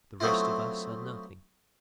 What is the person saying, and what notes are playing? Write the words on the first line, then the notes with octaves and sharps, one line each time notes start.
The rest of us are nothing.
F#3 A3 B3 C4 E4 F4